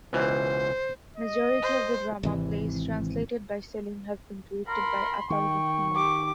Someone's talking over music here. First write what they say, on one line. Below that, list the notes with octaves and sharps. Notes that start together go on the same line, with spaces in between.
Majority of the drama plays translated by Selim have been directed by Ataur Rahman.
C#2 B2 E3 C5
D#5
C5
G#1 C3 E3
A#4 B5 C6
D#3 G5 C#6
G4 D6